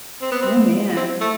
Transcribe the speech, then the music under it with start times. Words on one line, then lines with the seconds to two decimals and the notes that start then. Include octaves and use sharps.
Oh man.
0.22 C4
0.32 B3
0.42 C4
0.96 C4
1.21 A3